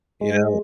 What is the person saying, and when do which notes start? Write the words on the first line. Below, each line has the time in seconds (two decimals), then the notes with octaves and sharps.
you know.
0.21 G#3